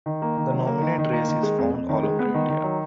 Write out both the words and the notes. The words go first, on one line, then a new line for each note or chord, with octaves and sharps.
The nominate race is found all over India.
D#3
A#3
D#3
F#3
A#3
D#3
D#3
A#3
D#3
G#3
F2
F2
D#3
G#3
B3
D#3
D#3
F#3